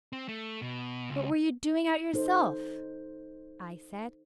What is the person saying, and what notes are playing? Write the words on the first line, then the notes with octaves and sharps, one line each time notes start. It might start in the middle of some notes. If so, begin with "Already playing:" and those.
"What were you doing out yourself?" I said.
C4
A3
B2
C#2
D#4 A4 C5